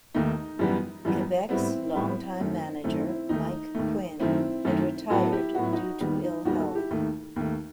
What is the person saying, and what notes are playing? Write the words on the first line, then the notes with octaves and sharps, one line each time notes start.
Quebec's long-time manager Mike Quinn had retired due to ill health.
D#2 D#3 A3 D#4
F#2 E3 G3 B3
F#2 E3 G3 B3
A2 G3 B3 C4 E4
A2 G3 B3
F#2 D#3 A3
F#2 D#3 A3 C4 E4
C4 E4
D#2 D#3 A3 D#4
D#2 D#3 A3
F#2 D#3 A3 C4 E4
F#2 D#3 A3
A2 F#3 B3 F#4 A4
E4 G4
A2 F#3 B3 F#4
E4
D#4 F#4
D#2 D#3 G3 B3
D#4
D#2 D#3 G3 B3 D#4 F#4
F#4 A4
E4 G4
D#2 D#3 A3
D#2 D#3 A3